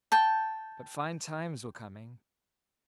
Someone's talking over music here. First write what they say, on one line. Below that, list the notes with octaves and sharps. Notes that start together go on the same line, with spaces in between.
But fine times were coming.
G5 A5